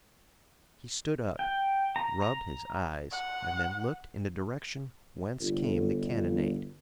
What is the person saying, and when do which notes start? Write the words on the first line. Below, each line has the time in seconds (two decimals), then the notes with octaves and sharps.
He stood up, rubbed his eyes and then looked in the direction whence came the cannonade.
1.39 G5
1.96 A#5
2.22 A#5
3.12 F#5
5.39 G1